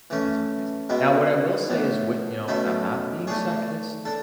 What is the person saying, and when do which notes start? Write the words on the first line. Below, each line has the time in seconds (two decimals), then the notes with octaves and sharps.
Oh, that's crazy. Now, what I will say is what, you know, I'm not being sexist.
0.10 E3 A3 C#4
0.89 B2 G#3 B3 E4
1.69 A2 E3 B3
2.48 B2 A3 C#4 E4 A4
3.27 A3 D4 G#4 C#5
4.05 D4 A4